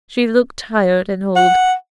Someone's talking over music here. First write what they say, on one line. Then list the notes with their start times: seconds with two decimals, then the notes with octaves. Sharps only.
She looked tired and old.
1.36 F#5